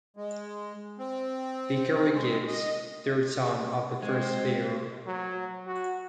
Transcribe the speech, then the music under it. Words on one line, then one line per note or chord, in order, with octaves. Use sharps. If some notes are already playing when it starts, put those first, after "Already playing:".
Vicary Gibbs, third son of the first Baron.
G#3
C4
G#3
D#5
G#3 C4
F#3
F#4